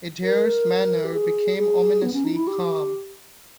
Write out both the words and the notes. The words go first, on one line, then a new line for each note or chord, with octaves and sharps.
Adair's manner became ominously calm.
A#4
G4
G#4
G#4
B3
C#4
D#4
E4
G4